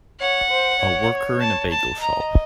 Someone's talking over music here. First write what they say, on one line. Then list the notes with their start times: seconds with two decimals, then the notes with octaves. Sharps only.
A worker in a bagel shop.
0.20 C#5 F#5
0.50 C5
0.80 C#5
1.41 A5
1.71 A5
2.01 D#5 A#5